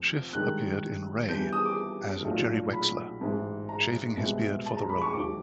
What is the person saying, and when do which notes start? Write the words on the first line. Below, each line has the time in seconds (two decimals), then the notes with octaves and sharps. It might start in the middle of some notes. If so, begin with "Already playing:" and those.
Schiff appeared in "Ray" as Jerry Wexler, shaving his beard for the role.
Already playing: F1 F2
0.33 G2 D#3 G#3 F#6
1.29 G2 E3 G3 B3 G6
1.53 D#6
1.65 D6
2.25 B1 A#2 F#3 A3
2.73 B5
3.21 A1 G#2 E3
3.69 A#5
4.17 C2 B2 G#3 B3
4.66 A5
4.77 A#5
4.89 B5
5.02 C#6
5.13 E1 D#2 D#3 F#3 D6